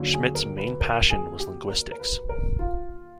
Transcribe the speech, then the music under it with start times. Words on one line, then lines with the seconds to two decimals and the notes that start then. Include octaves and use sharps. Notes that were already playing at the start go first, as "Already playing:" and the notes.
Schmidt's main passion was linguistics.
Already playing: D#2 D3 F#3
0.13 G#4
0.35 A#4
0.58 B4
0.81 A#4
1.10 G#4
1.40 G4
1.69 A#4
1.92 A#4
2.00 B4
2.29 A#4
2.59 F4